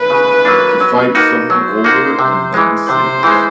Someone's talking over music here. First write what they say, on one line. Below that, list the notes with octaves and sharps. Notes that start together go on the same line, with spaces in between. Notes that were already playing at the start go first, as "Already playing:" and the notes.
He fights someone older and then sings.
Already playing: B4
C#3
F#3 A#3 D4
F#3
A#3 D#4 F#4
F#3 C5
A#3 D#4 F#4
C3
E3 G#3
C3 C5
E3 G#3